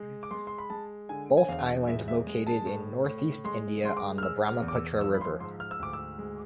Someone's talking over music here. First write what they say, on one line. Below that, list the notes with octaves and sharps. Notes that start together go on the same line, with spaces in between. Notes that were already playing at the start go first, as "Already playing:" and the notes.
Both island located in North East India on the Brahmaputra River.
Already playing: G#3
D6
G#3 C6
C6
B5
G#3 A5
D3 G#5
G#5
E2 F5
G#3 E5
E5
G#3
A5
A2
A2
G#3 C6
G#3 C6
D6
F6
G#3 E6
F6
E2
D6
E6
F3 E6
B5
C6
G#2 C6
F6
E6
D2 D6
E6
G#3